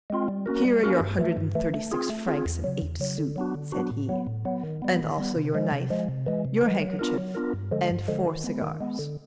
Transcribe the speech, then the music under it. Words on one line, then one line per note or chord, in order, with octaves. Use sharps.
"Here are your hundred and thirty-six francs and eight sous," said he, "and also your knife, your handkerchief, and four cigars."
G#3 C4 F4
G3
A#3 C#4 F#4 A#4
G3
A#3 C#4 F#4 A#4
G2
E3 A3
G2
E3 A3
A3
C4 F4 G#4
A3
C4 F4 G#4
E2
C#3 F#3
E2
C#3 F#3
D3
F#3 B3 D4 F#4
D3
F#3 B3 D4 F#4
A2
F#3 B3
A2
F#3 B3
D#3
G3 B3
D#3
G3 B3
C3
F3 G#3
C3
F3 G#3
C3
E3 G#3
C3
E3 G#3
F#3
B3 D4 F4 A#4
F#3
B3 D4 F4 A#4
G2
D3 F3 G#3
G2
D3 F3 G#3
D#3
G#3 B3
D#3
G#3 B3
D3